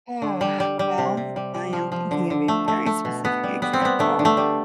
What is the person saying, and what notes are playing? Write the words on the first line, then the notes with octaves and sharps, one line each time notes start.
Ugh, well, I am thinking of a very specific example.
D3
G3
G3
G3
C3
C3
G3
G3
F3
F3
D3
D3
A3
A3
A3
B2
B2 B3
G3
G3 B3
C4
G3 B3
D3 A3
D3
A3
G3